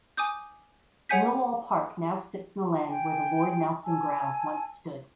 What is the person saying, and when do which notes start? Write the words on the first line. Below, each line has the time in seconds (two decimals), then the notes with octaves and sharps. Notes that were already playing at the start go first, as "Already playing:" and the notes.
Millwall Park now sits on the land where the Lord Nelson Ground once stood.
0.17 G#5 D6 D#6 G6
1.09 G#4 C#5 F#5 G#5 G6 B6
2.87 G5 G#5
3.84 G#5 A5 E6